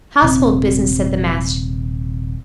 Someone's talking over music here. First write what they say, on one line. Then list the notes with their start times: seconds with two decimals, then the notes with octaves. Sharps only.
Household business, said the Master.
0.22 D#1 C3 C4